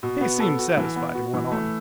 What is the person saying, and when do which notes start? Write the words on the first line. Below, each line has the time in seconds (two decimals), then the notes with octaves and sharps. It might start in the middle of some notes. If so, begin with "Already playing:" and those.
He seemed satisfied, and went on.
0.03 B2
0.21 B3
0.40 A4
0.59 F#4
0.77 E3
0.96 B3
1.15 F#4
1.34 E3
1.52 A3